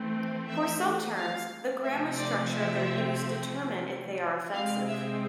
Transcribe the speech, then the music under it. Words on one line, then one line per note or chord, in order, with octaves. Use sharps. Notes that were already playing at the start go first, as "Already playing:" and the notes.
For some terms, the grammar structure of their use determine if they are offensive.
Already playing: E3 A3 C4
E5
F5
C3 F3 A3 C4 E5
D5
E5
C3 G#3 C4 F5
E5